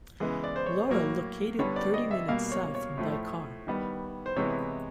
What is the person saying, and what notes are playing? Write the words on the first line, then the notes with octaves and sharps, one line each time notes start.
Laurel located thirty minutes south by car.
C#3 E3 G#3 B3
D5
C5
C#5
A2 F#3 A#3
D3 G3 B3 C#5
D5
D#5
E5
B2 G3 A#3 F5
C#5
C#5
A2 F3 A3
D#3 G3 B3
C5
C3 E3 G#3 B3 C#5